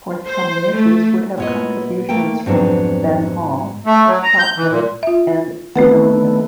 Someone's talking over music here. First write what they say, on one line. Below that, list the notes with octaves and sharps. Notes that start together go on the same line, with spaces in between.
Forthcoming issues would have contributions from Ben Hall, Shachtman, and Zinoviev.
C5
A3
A#2 B3 E4 C#5 D#5
A3 A#3 G5
F2 G#2 F#3 B3 C4 D4
A3
F#3
A#5
G6
E3
A#2
F4 E5
D#3 A3 B3 C4 B4 F#5